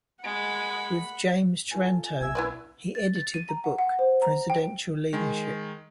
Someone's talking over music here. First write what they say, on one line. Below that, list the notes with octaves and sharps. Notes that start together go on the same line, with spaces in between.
With James Taranto, he edited the book Presidential Leadership.
G#3 F#5 B5
F4 A4 G#5
G#5
B1 E5 G#5 E6 G#6
E4 B4 D5
A6
A6
D#7
A#5
F#5
F#5
C5
A#5
G5
D#3 G#3